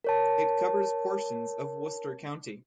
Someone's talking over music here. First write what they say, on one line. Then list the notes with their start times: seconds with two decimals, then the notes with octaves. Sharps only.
It covers portions of Worcester county.
0.04 A#4 C#5 A5